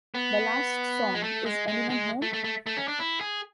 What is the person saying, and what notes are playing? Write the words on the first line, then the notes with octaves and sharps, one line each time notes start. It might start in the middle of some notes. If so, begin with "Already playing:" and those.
The last song, Is Anyone Home?
B3
G#3
A3
G#3
G#3
G#3
A3
A3
A3
A3
C#4
D4
E4
G#4